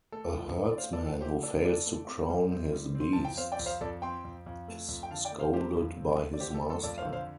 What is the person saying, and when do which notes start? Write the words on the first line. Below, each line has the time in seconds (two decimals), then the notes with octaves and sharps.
A herdsman who fails to crown his beasts is scolded by his master.
0.12 A3 A4
0.35 F3
0.56 A3
0.71 D5
0.78 A3 C5 F5
0.93 A4 D5
1.00 F3
1.06 A4
1.21 F3 G4 C5
1.42 A3 A4 D5
1.64 G2 A4 D5
1.86 A3
2.08 C4
2.30 G3
2.52 C4
2.73 G3
2.95 C4
3.00 C6
3.13 F2 A5
3.25 G5
3.38 C4 C5 F5
3.52 D5 G5
3.59 F2
3.66 C5 F5
3.81 F2 A4 D5
4.02 C4 G5 C6
4.25 F2
4.46 F2
4.68 A3
4.88 F2
5.03 G5
5.11 D3 F5 A5
5.25 D5 G5
5.32 A3
5.39 C5 F5
5.53 A3 G4 C5
5.76 F2
5.97 C4
6.18 A3
6.34 D5
6.40 D3 G4 C5
6.51 G4
6.54 A4
6.62 A3
6.70 A4
6.83 F2 A4 D5
6.98 C5 F5
7.05 D3
7.13 C5 F5